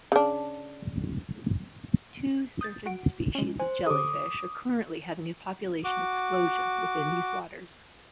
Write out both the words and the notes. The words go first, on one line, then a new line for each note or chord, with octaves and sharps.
Two certain species of jellyfish are currently having a population explosion within these waters.
C#3 D4
D#6 G6 A6
F#4 F#5 D7
G#3 C#4
C5 G#5
D3 G4 A4 D6 D#6
F#4 D6